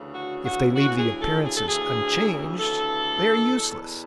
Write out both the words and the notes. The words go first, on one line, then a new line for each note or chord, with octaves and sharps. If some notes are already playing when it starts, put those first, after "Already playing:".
If they leave the appearances unchanged they are useless.
Already playing: D2 C#3 E3
F#4
F#4
D2 C#3 E3 F#4
G#4
A4
G#4
A4
D2 C#3 E3 G#4
D2 C#3 E3 A4
E2 B2